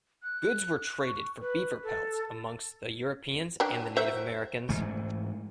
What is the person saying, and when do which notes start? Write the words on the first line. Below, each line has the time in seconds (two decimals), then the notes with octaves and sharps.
Goods were traded for beaver pelts amongst the Europeans and the Native Americans.
0.23 F#6
1.00 C#6
1.41 B4
1.83 A4
3.60 F#3 D4 G4
3.97 F#3 C5 E5
4.69 G#2 E3 A3